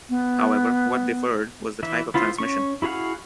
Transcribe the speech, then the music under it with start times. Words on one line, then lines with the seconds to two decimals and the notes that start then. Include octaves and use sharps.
However, what differed was the type of transmission.
0.09 B3
1.83 E3 E5
2.14 B3 E4 F4 C5
2.38 C#4 C#6
2.82 E4 F#4 G#4 F5 F#5